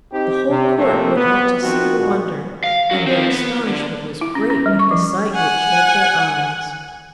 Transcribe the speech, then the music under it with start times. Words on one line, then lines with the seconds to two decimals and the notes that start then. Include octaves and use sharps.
The whole court went out to see the wonder, and their astonishment was great at the sight which met their eyes.
0.12 C4 D#4 G4
0.49 C3
0.78 C3 F3 A3 A#3 C4
1.15 B3
1.63 D#3 F3 C4 F#4
1.99 A#2 G#3 F#4
2.64 F5
2.91 C#4 F#4
3.07 C4 F4
3.31 B3
3.67 D3
4.21 E4
4.35 C#4
4.50 C#4
4.66 G3
4.79 C#6
4.91 F3
5.35 F#5 G#5